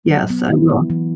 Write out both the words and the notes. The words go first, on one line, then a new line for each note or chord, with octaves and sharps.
Yes. I will.
F#3
B3
E4
B3
E3